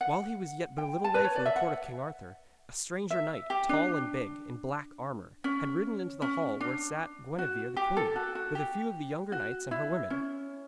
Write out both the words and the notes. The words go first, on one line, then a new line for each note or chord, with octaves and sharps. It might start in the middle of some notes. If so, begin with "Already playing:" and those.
While he was yet but a little way from the court of King Arthur, a stranger knight, tall and big, in black armour, had ridden into the hall where sat Gwenevere the queen, with a few of the younger knights and her women.
F#5
G5
A5
B4
C#5
D5
E5
F#5
E5
G4
D4
C#4
C#4
D4
F#4
G4
A4
F#4
F#4
G4
F#4
E4
C#4